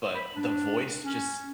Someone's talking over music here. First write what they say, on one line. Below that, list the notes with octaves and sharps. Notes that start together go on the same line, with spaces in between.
but the voice just
B5
D4
C#4